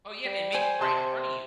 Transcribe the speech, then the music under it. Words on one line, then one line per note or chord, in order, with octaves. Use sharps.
Oh, yeah. They make it right in front of you.
G3
C5 G#5
C3 A5 C6